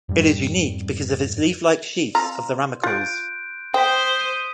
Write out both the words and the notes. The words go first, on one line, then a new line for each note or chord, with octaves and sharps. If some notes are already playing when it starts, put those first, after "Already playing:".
It is unique because of its leaflike sheaths of the ramicauls.
F2 G#2 G3
C4 F4 A#5 C6
F4 F#6 G6 D7
C5 G5 D#6 B6
D#7